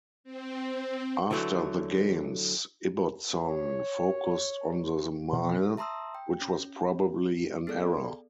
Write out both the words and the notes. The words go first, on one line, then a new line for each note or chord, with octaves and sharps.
After the games, Ibbotson focused on the mile, which was probably an error.
C4
D3 E3 F#3 A3
C#5
B2 E3 F3
E5 A5 A#5 C6 D#6 E6
G5
C#4
B3 G#4 A4 D5